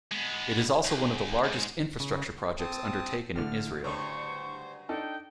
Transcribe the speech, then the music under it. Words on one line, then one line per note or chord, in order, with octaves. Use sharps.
It is also one of the largest infrastructure projects undertaken in Israel.
G#3 B3
C#2
G#2
C#3
C4 A5 D#6
A2 D3 F6
G2 C#3 F#3 C5 C#6
D4 D#4 A4 G5